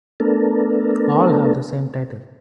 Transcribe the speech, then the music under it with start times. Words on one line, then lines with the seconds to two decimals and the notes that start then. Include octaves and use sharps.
All have the same title.
0.20 A3 B3 D4 A4 A#4